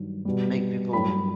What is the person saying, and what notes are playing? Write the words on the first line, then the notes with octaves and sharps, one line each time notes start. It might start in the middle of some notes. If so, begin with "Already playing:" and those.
make people
Already playing: G2 D#3 F#3
B2 G3
G2 F#3 B5